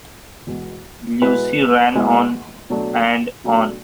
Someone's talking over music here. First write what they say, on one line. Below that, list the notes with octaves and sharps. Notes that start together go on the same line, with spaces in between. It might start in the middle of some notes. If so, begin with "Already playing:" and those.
Lucie ran on, and on.
E2 B2 G#3 B3
B2 G#3 B3 E4 B4
B2 G#3 B3 E4
B2 F#3 A3 D4
B2 F#3 A3 D4